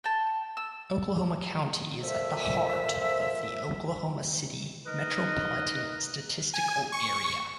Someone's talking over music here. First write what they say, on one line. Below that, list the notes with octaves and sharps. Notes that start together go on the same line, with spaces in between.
Oklahoma County is at the heart of the Oklahoma City Metropolitan Statistical Area.
G5 A5
E6
F2 A#2 F3 E5
D#4 A#4 B4 D#5
G#5
C#6